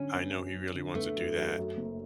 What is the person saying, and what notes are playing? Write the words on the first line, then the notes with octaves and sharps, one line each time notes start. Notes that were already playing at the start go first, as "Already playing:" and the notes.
I know he really wants to do that,
Already playing: D3 F#3 C#4
B3
F#2
F#3
D3
A3 B3
F#2
F#3
F#2
F#1